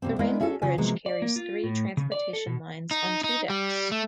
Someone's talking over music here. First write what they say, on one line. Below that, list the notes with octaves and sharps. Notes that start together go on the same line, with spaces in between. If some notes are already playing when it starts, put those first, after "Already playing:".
The Rainbow Bridge carries three transportation lines on two decks.
B2 F3 G3 A#3 C4
G#3 B3 E4 A#4 B4 D5
C#4 F#4 G#4 A4
C#3 C#4 F4 B4 G#5
C3 F3 F#3 G#3 A#3 B3
D5
A#3
F4
A2
C#3
D5
A4
B2
D#4
D#4
G3
A3